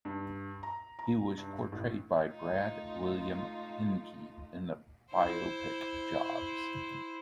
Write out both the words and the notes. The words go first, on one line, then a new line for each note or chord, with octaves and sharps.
He was portrayed by Brad William Henke in the biopic "Jobs".
G2
A#5
A#5
G2
A1
A3 D#4 F4
E4 C5